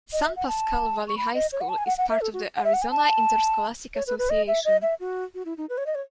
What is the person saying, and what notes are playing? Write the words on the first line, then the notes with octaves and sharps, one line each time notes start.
San Pasqual Valley High School is part of the Arizona Interscholastic Association.
D#5
E5
F#5
A5
C#6
B5
D#5
C#5
F#5
A5
G#5
F#5
F#5
E5
A4
F#4
F#5
E5
F#5
G#5
A5
C#5
B4
B4
D#5
E5
D#5
E5
F#4
F#4
E4
D#4
B4
C#5
D#5
C#5